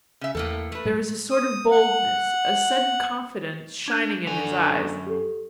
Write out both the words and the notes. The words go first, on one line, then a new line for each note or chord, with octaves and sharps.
There was a sort of boldness, a sudden confidence shining in his eyes.
C#3 E5
E2 A2 A#3 A4
A3 B4
A2 G3
D#6
F#5
D4 F#6 G#6
F#2 D3 G#5 F7
G4 A4